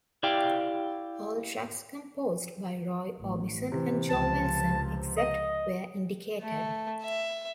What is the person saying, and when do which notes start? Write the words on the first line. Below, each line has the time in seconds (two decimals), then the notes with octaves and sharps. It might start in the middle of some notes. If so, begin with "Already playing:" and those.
All tracks composed by Roy Orbison and Joe Melson, except where indicated.
0.23 E4 G4 D5 F5 G5
3.20 A1
3.72 C3 E3
4.09 C#2 F3 A5
5.17 D#5
6.42 A3
7.03 E5